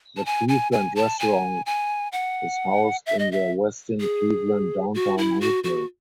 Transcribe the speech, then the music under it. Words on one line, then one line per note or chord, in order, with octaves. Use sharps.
The Cleveland restaurant is housed in the Westin Cleveland Downtown Hotel.
A5
G#5
G#5
G#5
A5
G#5
G#5
F#5
E5
D#5
E5
G#4
F#4
E4
F#4
F#4